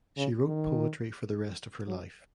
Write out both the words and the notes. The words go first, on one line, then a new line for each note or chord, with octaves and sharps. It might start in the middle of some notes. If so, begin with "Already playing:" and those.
She wrote poetry for the rest of her life.
C#3
D#3
F#3